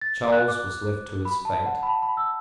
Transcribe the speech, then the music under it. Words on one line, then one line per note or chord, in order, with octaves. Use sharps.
Charles was left to his fate.
A6
F#6
D6
B5
A5
F#5
B5
A5
B5
E6